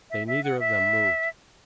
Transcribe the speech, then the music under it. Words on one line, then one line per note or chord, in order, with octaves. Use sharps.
They neither of them moved.
E5
E5
F#5
E5